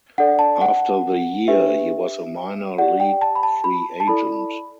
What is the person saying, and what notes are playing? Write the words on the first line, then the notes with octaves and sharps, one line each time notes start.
After the year, he was a minor league free agent.
D4 A4 D5 F#5
A5
F#5
D4 G4 B4 E5
G4 D5 F#5
G5
A5
B5
A5
B5
A5
E4 A4 D5 B5